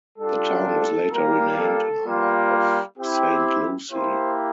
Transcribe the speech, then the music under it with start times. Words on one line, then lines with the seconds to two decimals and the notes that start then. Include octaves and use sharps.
The town was later renamed in honor of Saint Lucy.
0.18 G3 D4 F4 A4
0.65 A4
1.12 G3 A#3 F4 A#4
1.58 A4
2.05 G3 A#3 F4
2.98 C4 E4 G4
3.92 A#3 E4 G4 C5